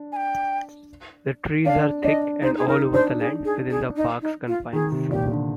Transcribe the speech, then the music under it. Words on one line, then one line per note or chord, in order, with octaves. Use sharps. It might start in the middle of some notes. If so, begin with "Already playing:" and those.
The trees are thick and all over the land within the park's confines.
Already playing: D4
G#5
G5
D4 F5
D4 D#5
D#4 C5
G#4
D#4 A#4
D4 C5
G#4
G#4
G#4
D#4
D#4
F4
D#3 G#4
C3
A#2 G4
D3